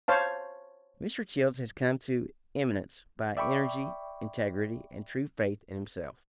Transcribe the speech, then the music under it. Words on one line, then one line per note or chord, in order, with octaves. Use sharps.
Mr. Childs has come to eminence by energy, integrity, and true faith in himself.
C5 C#5 F5 A5
D5 E5 G5 B5 C#6 D6